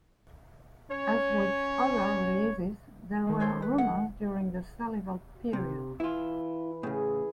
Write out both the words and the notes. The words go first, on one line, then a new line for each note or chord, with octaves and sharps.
As with other releases, there were rumors during the "Salival" period.
C#4 C#5
D#3 G#3
A4 C5 C#5
B4
F#5
C3
E3 E4 F4
A2 C#3 G#4